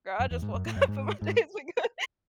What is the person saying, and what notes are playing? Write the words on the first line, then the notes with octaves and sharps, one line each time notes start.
"Girl, I just woke up and my day is good."
F#2
E2
G#2
F#2
A2
F#2
G#2
G#2